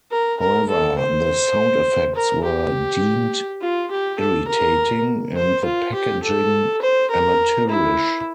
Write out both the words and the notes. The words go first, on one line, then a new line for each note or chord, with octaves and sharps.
However, the sound effects were deemed irritating, and the packaging amateurish.
A#4
A#4
A4
C5
A#4
G4
F4
G4
A4
A#4
C5
F4
G4
A4
C5
A#4
E4